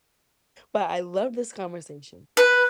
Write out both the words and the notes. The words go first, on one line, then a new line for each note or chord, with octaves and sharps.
but I love this conversation.
B4